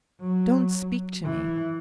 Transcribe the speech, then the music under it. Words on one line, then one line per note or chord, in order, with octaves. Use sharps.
Don't speak to me.
F#3
E3